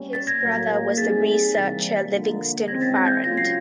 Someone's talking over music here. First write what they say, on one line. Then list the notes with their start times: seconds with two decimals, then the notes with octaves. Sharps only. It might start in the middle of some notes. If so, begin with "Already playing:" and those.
His brother was the researcher Livingston Farrand.
Already playing: G3 A#3 C#4
0.13 A6 B6
0.27 G#6 A#6
0.41 A2 F#3 A#3
0.98 G3 C4 D#4 G#4 A6 B6
1.54 C3 E3 G3 A#3 A6 B6
2.11 D3 F3 A#3
2.67 C#3 E3 G#3 C4 G#6 A#6
2.81 A6 B6
2.95 G#6 A#6
3.05 G6 A6
3.24 C#3 F#3 A#3 C#4 F4 G#6 A#6
3.37 A#6 C7